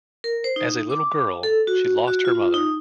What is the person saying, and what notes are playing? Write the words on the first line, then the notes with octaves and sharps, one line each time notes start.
As a little girl, she lost her mother.
A#4
C5
D#4
D6
A4
F#4
F#4
F4
D#4